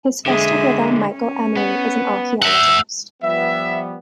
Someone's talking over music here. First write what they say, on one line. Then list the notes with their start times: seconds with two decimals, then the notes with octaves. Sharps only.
His foster brother, Michael Emery, is an archaeologist.
0.26 D3 G#3 G#4 E5
1.12 C#4
1.57 B3
2.42 E5 F#5 E6
3.23 F3 G3 B3 E5